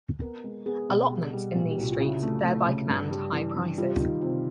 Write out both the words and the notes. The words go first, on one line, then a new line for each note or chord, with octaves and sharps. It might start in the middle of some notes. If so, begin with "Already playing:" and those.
Allotments in these streets thereby command high prices.
B3 A#4
G#3
B3 G#4
B2
G3
G3
A#2
G4
C2 F#4
F4
C#3 E4
A3
A3
C#3
G2
G3
E3
E3
G3 F4
D#3 F4
C3 F4